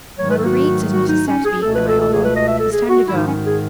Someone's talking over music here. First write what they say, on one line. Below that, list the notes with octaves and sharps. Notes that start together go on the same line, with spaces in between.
"Marguerite," said Mrs. Saxby at my elbow, "it is time to go."
G#2 D#3 F#3 A3 C#5
B4
A4
F#4
F#4
D#4
C#4
G#4
C#2 B2 A3 A4
B4
A4
A4
G#4
B4
D#5
E5
A4
G#4
F#4
G#2 D#3 G#3 E4
D#4
C#4
G#4